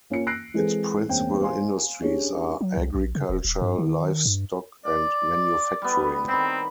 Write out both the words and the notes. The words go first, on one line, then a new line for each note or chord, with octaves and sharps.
Its principal industries are agriculture, livestock, and manufacturing.
A#3 C#4 F4 C#7
E6 F#6 A#6 C7 D7
E3 G#3 C4 G#4 A4 B4
E1 A#3 C4 C#4 G5
C5 F5 G#5 C6
C#4 D4 G4 G#4 C#5
F#3
C2
A#1
C#3
E1
D#1
G2
D#3
G2
D5
G3 B3
D#3 C4 B5